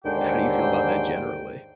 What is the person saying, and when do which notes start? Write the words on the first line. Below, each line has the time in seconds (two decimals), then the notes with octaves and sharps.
how do you feel about that generally?
0.05 D#2 G#2 D3 C5 G5